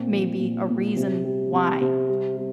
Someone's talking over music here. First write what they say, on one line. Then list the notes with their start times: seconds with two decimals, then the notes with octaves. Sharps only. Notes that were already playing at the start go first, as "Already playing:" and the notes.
maybe a reason why,
Already playing: A#2 C4
0.11 F3
0.40 A#2
0.69 A#2
0.97 C3
1.25 G3
1.53 C3
1.81 C3
2.09 G3
2.37 G3